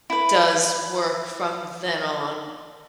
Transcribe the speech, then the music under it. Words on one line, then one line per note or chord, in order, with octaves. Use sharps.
does work from then on
E4 B4